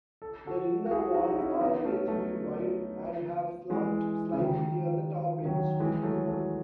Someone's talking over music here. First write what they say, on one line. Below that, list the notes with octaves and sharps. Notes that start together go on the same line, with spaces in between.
The inner walls are relatively wide, and have slumped slightly near the top edge.
A4
F#4 A4
F#4
E4 G#4
D#4 F#4
D#4
C#4 E4
C#4
B3 D#4
A3 C#4
F#3 A3
E3 G#3
C#3
D#3
D#3 F#3
E3 G#3
F#3 A3
F#3 A3